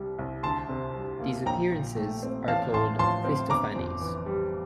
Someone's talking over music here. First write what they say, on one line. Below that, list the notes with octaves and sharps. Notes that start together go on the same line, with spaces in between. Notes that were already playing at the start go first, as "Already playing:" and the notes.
These appearances are called Christophanies.
Already playing: C2 C3 G3
C2
D2 A5 C6
C3
G3
A#3
A#1 G5 A#5
A#2
A3
C4
A1 F5 A5
A2 A5 C6
F3 A5 C6
C4
G1 A#5 D6
F2
E3
G3